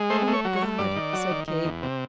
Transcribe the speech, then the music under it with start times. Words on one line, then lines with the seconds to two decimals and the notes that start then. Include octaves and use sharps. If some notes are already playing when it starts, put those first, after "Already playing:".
"O God!" said Kate.
Already playing: G#3
0.10 A3 C5
0.27 A3
0.33 C#5
0.45 F#3
0.56 C#5
0.62 A3
0.78 G2 D5
0.96 D#3
1.13 F#3
1.30 D#3
1.48 D#3
1.65 E2
1.82 C3